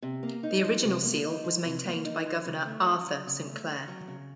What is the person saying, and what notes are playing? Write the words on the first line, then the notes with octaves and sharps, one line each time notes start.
The original seal was maintained by Governor Arthur Saint Clair.
C3
A#3
D#4
F3
C3
A#3
D#4
F3
C3
A#3
D#4
F3
C#3
A3
C#4
F#3
C#3
A3
C#4
F#3
C#3